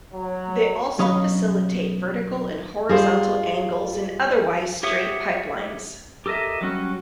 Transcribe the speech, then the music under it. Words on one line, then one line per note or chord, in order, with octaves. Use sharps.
They also facilitate vertical and horizontal angles in otherwise straight pipelines.
F#3
B1 F#3 C#4 D#5 F5 B5
G2 F4 G#4 C5
G4 C#5 E5 F#5 D#6
G4 A4 A#4 D#5 E5
F#3 G3 C#4 F#4